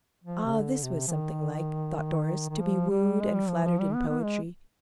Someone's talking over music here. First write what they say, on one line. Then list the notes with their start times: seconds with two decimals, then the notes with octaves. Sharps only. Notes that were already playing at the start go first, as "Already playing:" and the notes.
Ah, this was something like, thought Doris, to be wooed and flattered in poetry.
0.24 F3
0.45 C3
0.53 D3
0.83 C3
1.08 F3
1.13 D#3
2.50 D#3
2.61 F3
2.90 G3
3.20 G#3
3.35 G3
3.50 F3
3.65 F3
3.79 G3
3.94 B3
4.09 B3
4.24 G#3